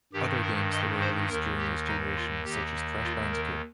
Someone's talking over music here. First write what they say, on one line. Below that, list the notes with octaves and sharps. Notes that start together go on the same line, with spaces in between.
Other games that were released during this generation such as Crash Bandicoot.
G2 D#3 G4
A#4
D#5
C5
D#2 D#3 A#4
G4
D#4
F4
D#2 D#3 G4
F4
A#4